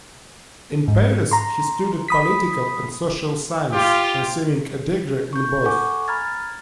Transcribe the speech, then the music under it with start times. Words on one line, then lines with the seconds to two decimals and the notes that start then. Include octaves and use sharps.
In Paris he studied political and social science, receiving a degree in both.
0.88 G#2
1.31 A#5 C6
2.08 B5 D#6 B6
3.73 F4 G4
5.33 C#6 G6
5.65 A4 F#5 G#5 C#6 D6
6.08 A#5 B5 F6 G#6 A6